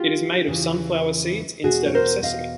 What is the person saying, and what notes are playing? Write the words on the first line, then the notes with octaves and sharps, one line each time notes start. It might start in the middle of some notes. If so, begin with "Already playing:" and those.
It is made of sunflower seeds instead of sesame.
Already playing: F4 G4
E2 C#3 E3
E2 B2 F#4 G#4
C#5
A#4 C5
D#5 F5